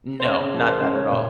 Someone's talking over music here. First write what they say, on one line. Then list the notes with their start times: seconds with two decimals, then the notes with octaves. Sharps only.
No. Not that at all.
0.20 C5
0.25 C#3 C#5
0.40 C#3
0.54 F3
0.60 A#4
0.68 F3 C5
0.81 C#3 C5
0.95 C#3 C#5
1.09 A#2